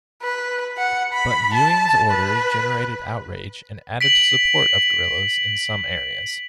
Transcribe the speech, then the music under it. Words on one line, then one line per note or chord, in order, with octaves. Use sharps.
But, Ewing's order generated outrage and added to support of guerrillas in some areas.
B4
F#5
B5
A5
B4
B6 D7 F#7